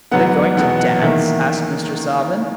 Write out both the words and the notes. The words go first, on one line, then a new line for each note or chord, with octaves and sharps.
"Are they going to dance?" asked Mr. Salvin.
G#2 F#3 B3 F#5
E2 B2 F#3 B3 F#5
F#5
E2 D#3 A#3 E5